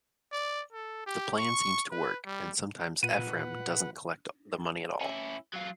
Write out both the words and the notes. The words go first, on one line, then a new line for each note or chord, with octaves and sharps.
The plan seems to work, and sometimes Ephram doesn't collect the money at all.
D5
A4
G4
C#6
B4
G3
A#2 F4 B4 F#5 D#7
C#4 E4
F#3 F4